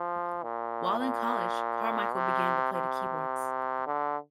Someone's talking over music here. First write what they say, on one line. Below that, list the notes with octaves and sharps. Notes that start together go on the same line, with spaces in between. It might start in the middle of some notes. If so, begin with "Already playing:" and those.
While in college, Carmichael began to play the keyboards.
Already playing: F3
A#2
A#2
C3
C3
D3